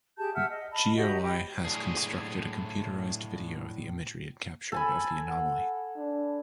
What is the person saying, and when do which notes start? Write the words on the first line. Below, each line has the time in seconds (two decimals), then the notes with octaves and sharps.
GeoEye has constructed a computerized video of the imagery it captured of the anomaly.
0.18 G4 G#4 A5 G6
0.34 E5 F#5 E6 F6
0.49 D#5
0.71 D#5 A5 B5
0.96 F#4 G4 D#5 E5
1.22 G4 G5 B5
1.65 A2 F#3 D4 G#4
4.72 A4 G#5 B5
5.26 F#5
5.97 D4